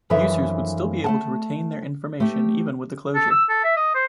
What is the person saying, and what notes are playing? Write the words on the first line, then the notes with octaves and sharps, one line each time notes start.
Users would still be able to retain their information even with the closure.
F#2 E3 F3 D#4 A4 E5
A3 F#5 A5
A3 G4
A4
E6
A4
E5
D#5
C5